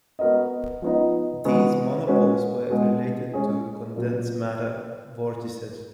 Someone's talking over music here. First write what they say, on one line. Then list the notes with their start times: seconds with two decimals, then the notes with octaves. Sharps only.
These monopoles were related to condensed matter vortices.
0.19 B3 F#4 A#4 D#5
0.82 F3 B3 D#4
1.45 G#3 B3 F#4
2.07 G#3 C#4 F#4 B4
2.70 B2 G#3 B3
3.33 G#3 C#4 G#4
3.96 A#2 F#3 A#3